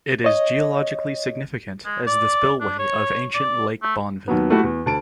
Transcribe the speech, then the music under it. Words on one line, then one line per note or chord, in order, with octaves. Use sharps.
It is geologically significant as the spillway of ancient Lake Bonneville.
C#5 D#5
G#3
D5
D4
C#5
D5
A3
D#2 F#3 B3
A3 E4 F#4 G4
E2
D2 A5 D7